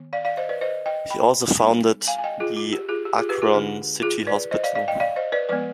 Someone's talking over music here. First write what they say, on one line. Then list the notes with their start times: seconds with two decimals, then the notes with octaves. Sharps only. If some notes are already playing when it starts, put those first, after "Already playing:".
He also founded the Akron City Hospital.
Already playing: D#3 B3
0.13 D5 F5
0.25 D5 F5
0.37 C5 D#5
0.49 B4 D5
0.61 C5 D#5
0.86 D#5 G5
1.10 G5 B5
1.59 G3 B3 D#4
2.08 F5 G#5
2.18 G#5
2.24 D#5 G5
2.40 F4 G#4
2.57 F4
2.73 G4
2.89 F4 G#4
3.05 G4
3.17 F4 G#4
3.29 G4 B4
3.42 F4 G#4
3.54 D3 G#3 D4
4.03 F4 G#4
4.27 B4 D5
4.51 C5 D#5
4.63 D5 F5
4.75 D5 F5
4.88 D#5 G5
5.00 D5 F5
5.16 C5 D#5
5.32 B4 D5
5.49 F3 G#3 B3 B4 D5